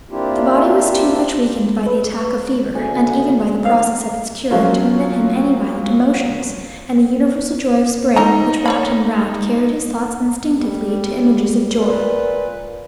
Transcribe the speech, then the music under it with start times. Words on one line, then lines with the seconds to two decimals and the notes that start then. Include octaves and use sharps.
The body was too much weakened by the attack of fever, and even by the process of its cure, to permit him any violent emotions, and the universal joy of spring which wrapped him round carried his thoughts instinctively to images of joy.
0.10 A#3 C4 D4 E4 F4 G4
1.86 B4
2.75 D2 C#3 G#5
3.65 D#3 F3 F5
4.51 F3 F#3 A#3 C#4 F4
8.16 D#4 A4 A#5
8.66 C#5 D5 B5
10.58 G3
11.80 A#2 B4